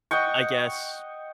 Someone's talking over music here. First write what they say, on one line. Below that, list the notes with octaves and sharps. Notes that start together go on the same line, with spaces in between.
I guess,
D#5 F#5 G5 C#6